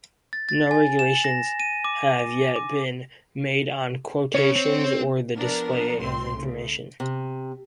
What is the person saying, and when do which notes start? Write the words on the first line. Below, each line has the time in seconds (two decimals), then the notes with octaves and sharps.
No regulations have yet been made on quotations or the display of information.
0.33 A6
0.49 A6
0.71 G#5
0.99 E7
1.24 A#6
1.60 D#7
1.84 D6
2.56 D6
4.35 C#3 C#4 C#5
4.56 C4
5.37 F3 B3 D4 A#4
6.00 C2 A2 C3 C4 C6
6.34 C#3 A3
7.00 C3